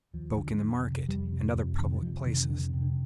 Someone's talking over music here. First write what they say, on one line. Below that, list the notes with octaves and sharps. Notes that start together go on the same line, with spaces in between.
He spoke in the market and other public places.
D#2 F3
D3
F2
C3
F2 G3
C3
F2 F3
C3 D#3
G3
F2 F3
C3 D#3
D#3
F2 D3
C3
D3